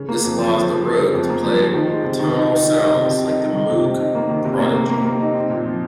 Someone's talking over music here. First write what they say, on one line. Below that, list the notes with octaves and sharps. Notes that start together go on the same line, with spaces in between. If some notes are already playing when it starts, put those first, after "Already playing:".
This allows the Rogue to play atonal sounds like the Moog Prodigy.
Already playing: C#3
A#3
F2
F3
F3
C#3
F3
C#3
F2
A#3
F3
F3
D#3
G#3
C3
D#3
D#4
D#4
D#3
D#4
C3
C3
D#4
D#4
D#3
C3
C3
D#4
A#3
D#3
C3
A#3
A#3
A#3
A#3
D#4
C4
A#2
F3